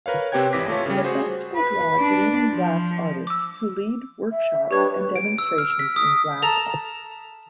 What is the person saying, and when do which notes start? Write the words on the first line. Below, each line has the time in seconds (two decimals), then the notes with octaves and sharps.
The festival draws leading glass artists who lead workshops and demonstrations in glass art.
0.06 A#4 B4 C#5 F5
0.32 C3 C4 G4 C#5 G5 G#6
0.53 G#1 E3 D6 A#6 B6
0.68 A3 F4 C#5
0.86 C#3 G3
1.04 F#4 G#4 C5
1.56 B4
1.99 D4
2.51 F3
3.27 D6 E6
4.31 E5
4.71 G3 D4 G4 B4 C#5 G#6
5.16 D7
5.38 E6
5.58 F6
5.79 B6
5.96 D#6
6.42 A4 A5 A#5